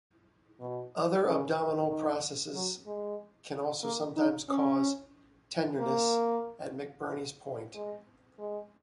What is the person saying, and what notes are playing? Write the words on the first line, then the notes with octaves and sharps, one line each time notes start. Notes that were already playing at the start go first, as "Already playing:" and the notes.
Other abdominal processes can also sometimes cause tenderness at McBurney's point.
B2
C#3
D#3
F#3
G#3
A#3
D#4
C#4
A#3
G#3
G#3